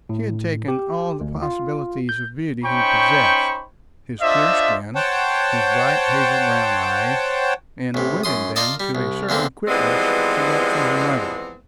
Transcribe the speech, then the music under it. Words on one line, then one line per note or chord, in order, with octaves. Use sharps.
She had taken all the possibility of beauty he possessed, his clear skin, his bright hazel-brown eyes, and wedded them to a certain quickness she got from her mother.
A2
G4
D2
F4
G6
C#4 D#4 C5 G5 B5 C#6
D4 F4 C5 D#5 E5
C5 C#5 F#5 G5 A5
A1 C3
F#2 C6 D#6
F4 A#4 D5 D#5 A5
G3
C2
E2 D3 A#3 C4
E3 F3 G3 G#3 B3 C4